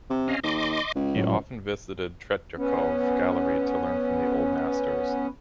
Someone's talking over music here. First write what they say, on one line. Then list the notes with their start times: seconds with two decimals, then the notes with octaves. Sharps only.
He often visited Tretyakov Gallery to learn from the Old Masters.
0.10 C3
0.28 C#4 D#5 F5
0.44 D#2 D#5 C6 D6
0.96 C#2
1.16 A2 F#3
2.57 B3 C#4